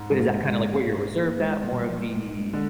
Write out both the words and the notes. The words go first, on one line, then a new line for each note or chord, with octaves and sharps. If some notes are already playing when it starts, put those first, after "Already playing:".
but is that kinda like where you're reserved at, more of the
Already playing: G#2
G#3
A#3
G#3
G#3
A#3
G#3
A#3
G#3
A#2 G3
F3
G3
G#3
D3 G#3